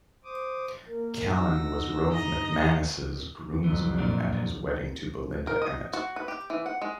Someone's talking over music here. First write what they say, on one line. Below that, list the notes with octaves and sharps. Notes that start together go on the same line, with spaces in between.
Callan was Rove McManus' groomsman at his wedding to Belinda Emmett.
C5 D6 D#6
A#3 A#4
D#4 F#4 E6 A#6
G2 D3 D#5 A#5
F2 E3 F#3
F#2 A#2 D4
A#4
D#5
F#4
B4
G4
E3
F#5
G#3